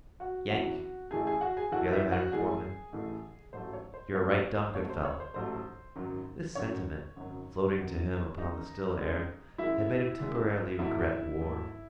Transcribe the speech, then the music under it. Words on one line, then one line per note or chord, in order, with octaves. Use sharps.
"Yank," the other had informed him, "yer a right dum good feller." This sentiment, floating to him upon the still air, had made him temporarily regret war.
F#4 F#5
F#1 E2 C3 E3 F#4 F#5
A1 A2 E3 A3 G#4 G#5
G#4 G#5
F#4 F#5
G#4 G#5
A1 A2 E3 A3 F#4 F#5
E4 E5
F#4 F#5
A1 A2 E3 A3 G#4 G#5
A1 A2 E3 A3
A1 G#2 F#3 A3 C5
C#5
C5
A1 G#2 F#3 A3 C#5
C#5
C5
A1 G#2 F#3 A3 C#5
C5
C#5
C5
A1 G#2 F#3 A3 C5
G#1 F#2 D#3 F#3
G#1 F#2 D#3 F#3 C#5
G#1 F#2 D#3 F#3
G#1 F#2 D#3 F#3
F#2 D#3 G#3 D#4 D#5
F#2 D#3 G#3
F#2 D#3 G#3 E4 E5
F#2 D#3 G#3
G#1 G#2 F#3 A3 E4 E5
G#1 G#2 F#3 A3